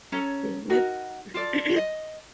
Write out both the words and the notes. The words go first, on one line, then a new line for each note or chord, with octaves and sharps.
The weapons are also used to make Ultimate Fatality with slashing.
C#4 A4 C#5 A#5
D#4 F#4 A#4
F4 A4 D5
D#5